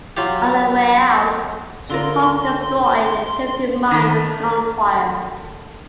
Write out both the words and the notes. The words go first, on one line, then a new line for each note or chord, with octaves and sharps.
On the way out, she paused to destroy a drifting mine with gunfire.
F#3 F4 G4
D3 F4 A#4 C6
D#3 A3